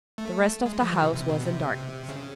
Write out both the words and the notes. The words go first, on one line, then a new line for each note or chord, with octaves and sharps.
The rest of the house was in darkness.
A3
G#3
F3
E3
C3
C3
B2
C3
C#3